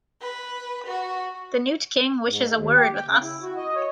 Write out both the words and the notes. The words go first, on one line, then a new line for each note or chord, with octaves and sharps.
The newt king wishes a word with us.
B4
F#4
G#2
D#2
G4
G5
C#3
E4
F#4
D#5
C#5